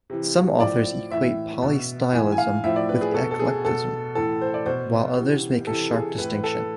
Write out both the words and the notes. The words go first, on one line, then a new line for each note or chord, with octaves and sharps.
Some authors equate polystylism with eclecticism, while others make a sharp distinction.
C3 E3
A2 F3 D5
A2 E3 E5
B2
A2 E3 G#5
G#5
F5
A2 F3 E5
D5
B4
G#4
B2 A4
A4
G#4
B2 A4
A2 E3 A4
C5
D5
B2 C5
C3 E3
C3 E3 A4
G#4
A2 E3 B4
A4